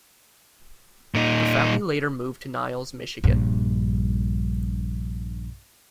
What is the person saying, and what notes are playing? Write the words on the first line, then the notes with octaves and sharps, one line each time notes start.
The family later moved to Niles, Michigan.
A#2 D#4
A#1 G2